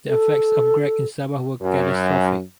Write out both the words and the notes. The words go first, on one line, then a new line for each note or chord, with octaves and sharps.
The effects of Greg in Sabah were catastrophic.
A4
F#2